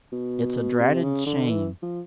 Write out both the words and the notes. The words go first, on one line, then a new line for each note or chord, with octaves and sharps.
It's a dratted shame!
B2
C3
C#3
D3
E3
F3